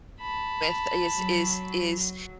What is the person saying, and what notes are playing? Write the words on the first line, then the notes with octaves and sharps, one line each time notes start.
with is is is
A5 B5
F#3